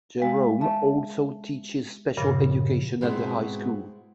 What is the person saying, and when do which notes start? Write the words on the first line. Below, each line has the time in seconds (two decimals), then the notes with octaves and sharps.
Jerome also teaches special education at the high school.
0.20 G#3 F5
0.61 E5 A5
2.17 G2 A#2 C#3 F3
3.01 G#2 B2 G#3 C4 E4 F#4